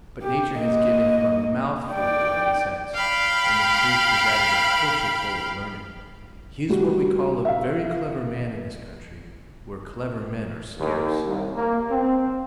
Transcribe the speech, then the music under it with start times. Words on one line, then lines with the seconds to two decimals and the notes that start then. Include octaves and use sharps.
But nature has given him a mouthful of common sense, and the priest has added a bushelful of learning; he is what we call a very clever man in this country, where clever men are scarce.
0.23 G4
0.55 A#3 D#5
1.92 D5 G5
2.92 F5 G5 B5
6.70 G3 F#4
7.45 E5 F5
10.79 D#2
11.26 C2
11.56 A#3
11.91 C4